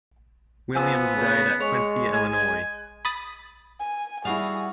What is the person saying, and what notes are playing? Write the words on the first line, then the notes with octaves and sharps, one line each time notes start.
Williams died at Quincy, Illinois.
F3 B3 G#5 E6
C#3
G#3 C#5
G#5
B5 D#6 A6
G#5
G3 E4 F#4 G#4 F5